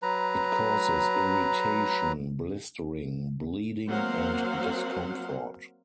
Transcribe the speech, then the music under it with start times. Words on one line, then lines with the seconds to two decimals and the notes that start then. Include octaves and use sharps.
It causes irritation, blistering, bleeding and discomfort.
0.02 F#3 B4 A#5
3.88 F#3 A#3 C4 C5 F5 F#5